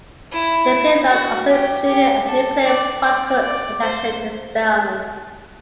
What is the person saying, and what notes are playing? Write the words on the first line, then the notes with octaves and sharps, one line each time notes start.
The payload also included a nuclear particle detection experiment.
E4
F#4
G4
G4
A4
D5
D5
D5
C5